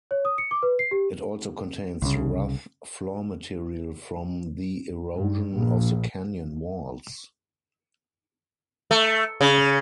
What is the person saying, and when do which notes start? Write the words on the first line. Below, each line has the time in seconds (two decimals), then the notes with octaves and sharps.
It also contains rough floor material from the erosion of the canyon walls.
0.11 C#5
0.25 D#6
0.38 C#7
0.51 D6
0.63 B4
0.79 C7
0.91 G4
2.02 C2 C#3
5.14 G2
5.52 A#1
8.91 A3
9.41 C#3